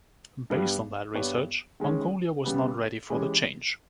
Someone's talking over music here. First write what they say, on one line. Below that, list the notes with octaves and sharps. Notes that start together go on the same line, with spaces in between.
Based on that research, Mongolia was not ready for the change.
G2 G3 B3
G2 G3 B3 G4 C#5
D#3 G#3 C#4
C#3 G3 B3
E3 G#3 C#4 G4